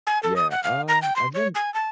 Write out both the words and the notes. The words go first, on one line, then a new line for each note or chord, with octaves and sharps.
Yeah, uh, I think
G#5
A4
D#6
F#5
F5
A#5
G5
C6
C#5
G#5
A5